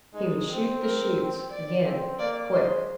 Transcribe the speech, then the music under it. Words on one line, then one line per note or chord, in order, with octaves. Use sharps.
He would shoot the chutes, again--quick.
G#3 D#4
C4
A#4
D5
C4
A#3 D5
G#3 C5